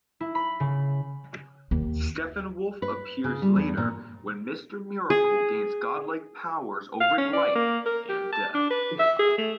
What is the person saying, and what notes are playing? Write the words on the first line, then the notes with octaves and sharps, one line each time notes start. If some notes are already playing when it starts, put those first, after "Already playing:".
Steppenwolf appears later when Mister Miracle gains godlike powers over life and death.
E4
B5
C#3
D#2
B4
C#3
G3
E2
A#2
G#4
F5
C#4
D5
A#3
A#4
G4
A5
D4
B4
E5
G#4
A3